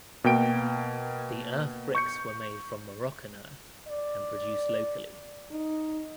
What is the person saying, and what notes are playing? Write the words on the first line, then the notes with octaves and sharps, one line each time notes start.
The earth bricks were made from Moroccan earth and produced locally.
B2 A#3 G5 D7
C#6 G6 C#7
D5
D#4